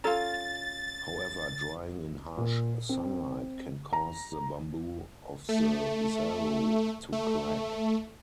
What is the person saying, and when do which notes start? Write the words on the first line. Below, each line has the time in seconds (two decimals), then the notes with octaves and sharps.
However, drying in harsh sunlight can cause the bamboo of the "zaru" to crack.
0.04 C#4 F4 A4 A#5 A6
2.38 A#2
2.89 C4
3.93 A#5
5.49 A3
7.13 A3